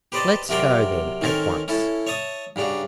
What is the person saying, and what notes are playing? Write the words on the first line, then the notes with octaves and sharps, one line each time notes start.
"Let's go then, at once."
G4 B4 C5 D5 D#5 A5
C3 F#3 A#4 D5 G5 C6
D#3 C4 C#4 A4 A#4
C#4 E4 A4
C#5 E5 A5 D#6
G2 C#3 D4 F#4